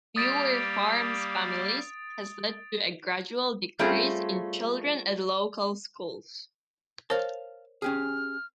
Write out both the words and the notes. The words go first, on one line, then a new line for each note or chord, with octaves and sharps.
Fewer farms families has led to a gradual decrease in children at local schools.
G3 A#3 G4 D#6 A6 D7
G3 A3 C4 C#4 F4 G#4
A#4 C5 C#5 F5 A5
C#4 G4 G#4 F6